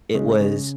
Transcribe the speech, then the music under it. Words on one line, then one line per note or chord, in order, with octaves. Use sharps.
it was
C#3 G#3
C#3